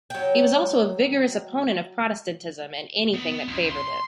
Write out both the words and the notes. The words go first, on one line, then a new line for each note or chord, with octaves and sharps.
He was also a vigorous opponent of Protestantism, and anything that favored it.
F#3 G5
B3
C#2
C6